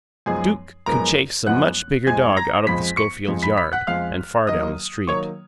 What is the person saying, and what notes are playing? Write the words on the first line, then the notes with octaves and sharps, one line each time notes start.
Duke could chase a much bigger dog out of the Schofields' yard and far down the street.
F#2 F3 G#3 B3 D#4 G#4 G#5
F#2 F3 G#3 B3 D#4 A#4 A#5
F#2 F3 G#3 B3 D#4 F#5 F#6
F2 F3 G#3 G#5 G#6
A#5 A#6
F2 F3 G#3 B5 B6
C#6 C#7
F2 F3 G#3
B5 B6
B5 B6
F#5 F#6
F2 F3 G#3 F5 F6
D#3 F#3 A#3 D#5 D#6
D#3 F#3 A#3 C#5 C#6